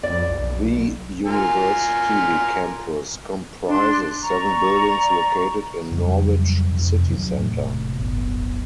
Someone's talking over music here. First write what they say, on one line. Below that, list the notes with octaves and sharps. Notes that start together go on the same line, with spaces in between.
The university campus comprises seven buildings located in Norwich city centre.
F2 D5
B1
F4 A#4 G#5
D4 C6
D5 A#5 C#6
F2 C#3 F#3 G3
F2 C3
D#2 E3 F#3
E1 A2 C3
D1 G1 B3